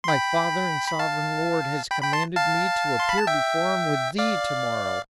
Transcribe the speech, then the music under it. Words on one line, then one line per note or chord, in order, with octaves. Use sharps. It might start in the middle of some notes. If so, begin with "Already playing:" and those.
My father and sovereign lord has commanded me to appear before him with thee to-morrow!
C6
G5 B5
B5
F5 A5
G5 B5
G5 B5
A5 C6
F5 A5
C6
B5
A5
E5 G5
D5 F5